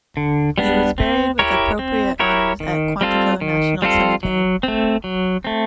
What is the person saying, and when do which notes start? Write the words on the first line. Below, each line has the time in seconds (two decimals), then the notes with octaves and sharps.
He was buried with appropriate honors at Quantico National Cemetery.
0.17 D3
0.58 G3 B3 D4
0.98 C4
1.39 E4 G4 A#4 C#5
1.79 C4
2.19 E4 G4 A#4 C#5
2.60 D#3
3.01 G3 C4 F4 A4
3.41 D#3
3.82 G3 C4 F4 A4
4.23 F#3
4.63 A3 C4
5.04 F#3
5.44 A3 C4